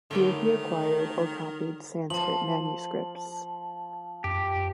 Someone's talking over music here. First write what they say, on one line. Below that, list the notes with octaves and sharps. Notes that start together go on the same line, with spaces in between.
Here he acquired or copied Sanskrit manuscripts.
D3 D#3 F#3 G3 A3 D#4 A#4
F3 A5 F#7
F#2 G4